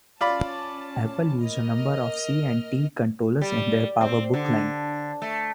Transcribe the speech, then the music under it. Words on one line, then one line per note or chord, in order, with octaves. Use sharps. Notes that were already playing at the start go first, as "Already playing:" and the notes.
Apple used a number of C and T controllers in their PowerBook line.
C#4 F4 D5 A5 B5
A#4 D#5 F6
G3
C4
D3
A3